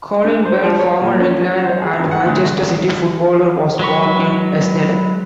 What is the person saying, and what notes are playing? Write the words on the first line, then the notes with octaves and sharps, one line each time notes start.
Colin Bell, former England and Manchester City footballer, was born in Hesleden.
D4
C5
F3
C#5
A#2
C#4
C#4
C5
G#4
G2
F#5
D2
F#3 G#3 B4 C#6